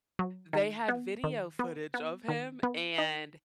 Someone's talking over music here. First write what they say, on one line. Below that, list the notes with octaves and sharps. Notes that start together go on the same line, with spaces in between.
they had video footage of him, and
F#3
D#3
B3
D#3
B3
B3
D#3
B3
D#4